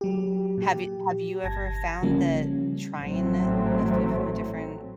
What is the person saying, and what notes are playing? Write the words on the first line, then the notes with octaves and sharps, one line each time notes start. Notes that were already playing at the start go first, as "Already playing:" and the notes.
Have you have you ever found that trying it a food from a different
F#3 G4
A#2 G4
G1 A5 G#6 A#6
C#3 F3 G3 A#3 C#4
A1 F#3 A3 C4